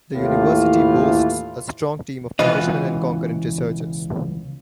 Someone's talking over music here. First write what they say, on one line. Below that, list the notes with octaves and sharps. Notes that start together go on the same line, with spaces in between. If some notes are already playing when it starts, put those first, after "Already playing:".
The university boasts a strong team of professional and concurrent researchers.
D#2 A2 E3 F4
C#2 B2 E3 F4 B4 D#5